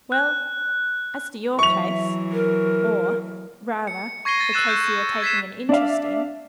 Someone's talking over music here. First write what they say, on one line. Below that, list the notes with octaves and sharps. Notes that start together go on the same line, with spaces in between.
Well, as to your case, or, rather, the case you are taking an interest in.
F#6
E3 F#3 E5 C#6 F7
A#4
C#7
C#6 G#6 A#6 C7 D#7 G7
A6
E6 F#6 A6 C7 E7
G6
G#6 B6 C7 E7
D4 D5 E5 F5